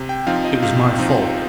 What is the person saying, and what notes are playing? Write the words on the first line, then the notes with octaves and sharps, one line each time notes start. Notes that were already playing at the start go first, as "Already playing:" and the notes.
It was my fault.
Already playing: C3
G5
F3 C4 D#4 F5
D#5
C3 F5
F3 C4 D#4